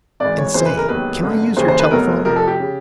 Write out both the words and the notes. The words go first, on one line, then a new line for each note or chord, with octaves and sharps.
'And say, can I use your telephone?'
G#1 G#2 E3 D5
C#5
F#1 F2 C#3 E3 C5
B4
A#4
E1 D#2 D#3 F#3 B4
G#1 F#2 D3
D#2 C#3 E3 C5
C5
B4
F1 E2 B2 F#3 A#4
F1 F2 C3 F3 A#4
A4
G4
C#3